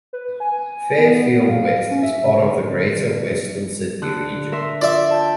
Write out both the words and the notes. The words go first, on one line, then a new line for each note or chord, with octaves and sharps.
Fairfield West is part of the Greater Western Sydney region.
B4
G#5
B3
F5
C#4
E5
C3
D3
D3 F#6
A#4 E5 C6
F4 D5 E5
G5 A5